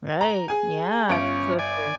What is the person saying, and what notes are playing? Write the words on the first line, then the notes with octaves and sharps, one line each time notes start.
Right, yeah, so true.
A#5
G#4 G#5
G1 C#4 F4 D7
D5 G#5